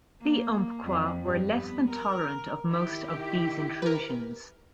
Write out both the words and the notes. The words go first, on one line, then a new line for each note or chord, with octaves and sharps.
The Umpqua were less than tolerant of most of these intrusions.
A#3
F2
G2
B3
A#4
D#3 E4 G4
A#4 B4